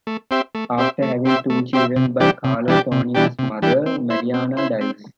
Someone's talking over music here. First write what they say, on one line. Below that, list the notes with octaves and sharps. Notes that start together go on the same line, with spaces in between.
After having two children by Carlo, Tonio's mother, Marianna, dies.
A3
C4 G4 C5 E5
A3
C4 G4 C5 E5
A3
C4 G4 C5 E5
A3
C4 G4 C5 E5
C3
E3 G3 D4 G4
C3
E3 G3 D4 G4
C3
E3 G3 D4 G4
C3
E3 G3 D4 G4
C4
E4 C5
C4
E4 C5
C4